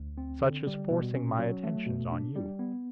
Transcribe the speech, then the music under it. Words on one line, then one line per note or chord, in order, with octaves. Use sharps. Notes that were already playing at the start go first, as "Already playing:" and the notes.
Such as forcing my attentions on you.
Already playing: D2
C4
D3
G3
B2
C#4
F#3
A3
B2
D4
G3
B3